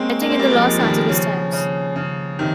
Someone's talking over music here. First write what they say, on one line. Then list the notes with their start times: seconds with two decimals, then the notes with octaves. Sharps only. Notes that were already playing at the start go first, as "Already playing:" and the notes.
Witing in the "Los Angeles Times".
Already playing: G#3 A#3 C4 C#4
0.22 A#3
0.31 C4
0.39 G3 A#3
0.50 F3 G#3
0.70 F3
0.80 D#3 G3
1.09 C#3 F3
1.52 C#3
1.96 C#3
2.39 C3 D#3